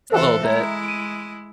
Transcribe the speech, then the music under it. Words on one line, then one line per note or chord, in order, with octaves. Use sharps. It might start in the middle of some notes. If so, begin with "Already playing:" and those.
A little bit.
E3 F4 A4 C5 E5 F#6
G#3 E4 E5 A#5
D7 D#7